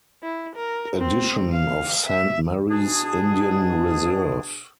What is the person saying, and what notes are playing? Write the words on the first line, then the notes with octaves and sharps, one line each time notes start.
Addition of Saint Mary's Indian Reserve.
E4
A#4
C4
F5
E5
B2 D4 G#4